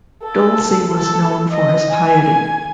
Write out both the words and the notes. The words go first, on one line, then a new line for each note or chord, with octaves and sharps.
Dolci was known for his piety.
A4
A4
D#5
G#5